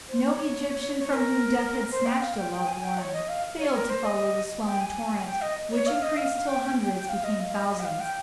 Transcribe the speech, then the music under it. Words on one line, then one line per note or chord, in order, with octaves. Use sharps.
No Egyptian from whom death had snatched a loved one failed to follow the swelling torrent, which increased till hundreds became thousands.
C5
C#5
C#5
A#4
C5
G5
F5
G5
G5
G#5
G5
C#5
D#5
F5
C#5
A#4
C5
D#5
G5
G#5
G5
D#5
C#5
F5
D#5
F5
G5
G5
G5
G5
F5
D#5
F5
D#5
D#5
G5
F5
G5